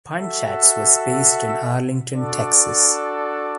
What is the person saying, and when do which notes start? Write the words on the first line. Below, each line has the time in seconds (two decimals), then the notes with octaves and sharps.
Punchatz was based in Arlington, Texas.
0.15 F#4 A4 E5
2.14 D4 F#4 A4 D5